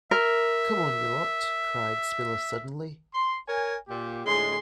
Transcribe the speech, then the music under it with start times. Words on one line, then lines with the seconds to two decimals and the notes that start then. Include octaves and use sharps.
"Come on, you lot," cried Spiller suddenly.
0.11 A#4 E5
3.15 C6
3.48 A#4 C#5 G#5
3.88 A#2 G4
4.26 A2 D3 G#3 G#4 C6